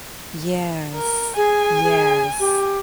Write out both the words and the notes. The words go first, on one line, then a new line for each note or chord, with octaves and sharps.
Yes. Yes.
A#4
G#4 G#5
G#4
G4